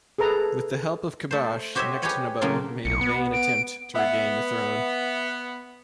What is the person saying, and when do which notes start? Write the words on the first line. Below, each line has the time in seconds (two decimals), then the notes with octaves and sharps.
With the help of Khabash, Nectanebo made a vain attempt to regain the throne.
0.18 G#4 A4 B4 A#5
1.31 A3 C5
1.75 F#4 G4 C5 C#5 D#5 E5
2.02 G4 G#4 B4 C#5 D#5 F#5
2.41 C#3 F#3 A3 A#3 C4
2.85 B1 C#7
3.01 B3
3.33 D7
3.96 B3 E5 F#5